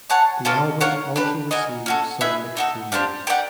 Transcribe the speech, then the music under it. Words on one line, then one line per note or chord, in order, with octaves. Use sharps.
The album also received some mixed reviews.
G#4 C#5 F#5 A5
A#3 C#4 F4 A4
F4 A#4 C#5 F#5
D4 G4 B4
F#4 A#4 D#5 G#5
C#4 F#4 A4
D#4 G#4 B4 E5
D#4 F#4 A4
A#3 D4 G4 C5
G4 A#4 D5 F#5